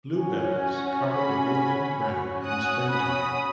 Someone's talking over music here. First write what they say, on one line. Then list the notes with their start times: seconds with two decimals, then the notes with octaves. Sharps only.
Bluebells cover the woodland ground in springtime.
0.15 C#4 F#4
1.07 G#5 B5
1.98 C#4 F#4
2.44 D#6 F#6
2.90 B5 D#6